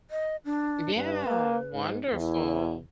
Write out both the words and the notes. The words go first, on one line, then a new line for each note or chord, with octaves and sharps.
Yeah, wonderful.
D#5
D4
G2 B4
A#3
G#2
E2 E4